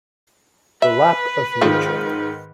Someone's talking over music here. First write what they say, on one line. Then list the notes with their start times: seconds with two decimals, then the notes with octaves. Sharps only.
The lap of Nature!
0.82 B4 E5
1.61 G#2 D#3 F3 C4 F4